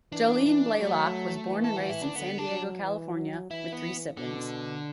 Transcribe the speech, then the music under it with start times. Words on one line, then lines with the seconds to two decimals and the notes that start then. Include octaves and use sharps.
Jolene Blalock was born and raised in San Diego, California, with three siblings.
0.12 E3 D4
0.46 D4
0.80 F#3 A3
1.47 E3
1.64 A4
1.76 F#4
1.89 E4
2.02 D4
2.15 D3 B3
2.38 D4
2.49 F#3
2.82 E3
3.16 F#3
3.50 E3 E4
3.72 B3
4.17 B2 D3